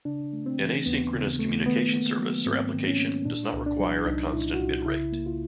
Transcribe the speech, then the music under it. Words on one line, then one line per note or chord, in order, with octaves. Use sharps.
An asynchronous communication service or application does not require a constant bit rate.
C#3 D4
A3
C4
E3
D#2 B3
C#3
A3
D#3 B3
A#3
F#3
G#2 C4
D#3
C#4
A#3
A#2 D4
C2
D4
F#3
C2 D#4
A#2 E4
F#4
C2 F4
C#3 E4
A#3
F4